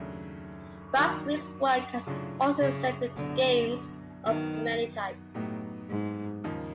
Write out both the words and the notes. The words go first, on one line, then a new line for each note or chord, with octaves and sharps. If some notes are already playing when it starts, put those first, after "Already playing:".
Bradstreet's work has also extended to games of many types.
Already playing: D#2 C#3 F#3 A3 D4
D#3 F#3 A#3 D4 F#4
A2 C#3 F#3 A3 D4 F4
C#3
C2 B2 D3 F#3 B3
D#3 F#3 B3 D#4 F#4
A2 F#3 B3 D#4 G4
G#2
D#2 C#3 F3 A#3 D#4